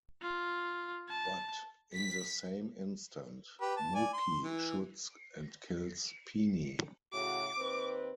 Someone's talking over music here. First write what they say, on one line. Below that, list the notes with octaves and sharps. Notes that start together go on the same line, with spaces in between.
But in the same instant, Mookie shoots and kills Pini.
F4
A5
B6
G4 B4
A5
D5 G#5
C6
E3
A2 C#3 F#4 D6
D#2 C4 B4